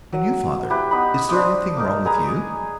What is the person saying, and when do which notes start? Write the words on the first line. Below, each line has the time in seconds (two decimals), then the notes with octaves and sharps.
"And you, father--is there anything wrong with you?"
0.12 F#3
0.70 E4 G4 B4
0.91 B3 D#4 B5
1.29 D4 C5 D6 D#6
1.77 D#4 A#4 D6
2.05 G#4 B4 G#5 A#5